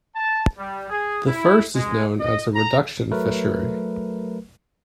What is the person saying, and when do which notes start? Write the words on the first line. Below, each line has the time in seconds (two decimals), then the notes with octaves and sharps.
The first is known as a reduction fishery.
0.16 A5
0.58 G3
0.90 G#4
1.27 E4
1.75 G#3
2.20 D#5
2.54 A#5
3.11 F#3 A3 A#4 B4